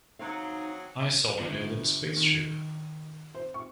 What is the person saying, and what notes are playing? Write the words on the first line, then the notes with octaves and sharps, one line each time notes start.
I saw an alien spaceship.
F#3 C4 D#4 G#4 F5
G1
D#3
C5
C#6